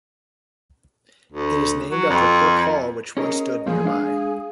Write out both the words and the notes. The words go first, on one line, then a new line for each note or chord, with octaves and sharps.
It is named after Crook Hall which once stood nearby.
D2
F#3
F2
C#4 G#4 A#4 D#5
E2 F3 A#3 G#4
G#3 D4 F5